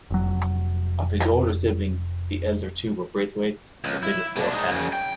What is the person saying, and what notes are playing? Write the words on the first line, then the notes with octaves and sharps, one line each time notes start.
Of his older siblings, the elder two were Braithwaites and the middle four Cannons.
F1 F#3
C#2
E4
B2 D4
G#3 D#4
F#2 C#3
G5